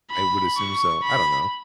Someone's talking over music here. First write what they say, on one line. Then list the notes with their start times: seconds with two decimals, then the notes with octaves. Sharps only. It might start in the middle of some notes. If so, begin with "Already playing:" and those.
I would assume so, I don't know.
0.11 B5
0.58 C#6
1.03 B5